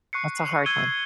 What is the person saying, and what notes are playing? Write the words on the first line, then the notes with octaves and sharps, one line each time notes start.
That's a hard one.
C#6 F#6 C7 C#7
E6 G#6 D#7 G7
E6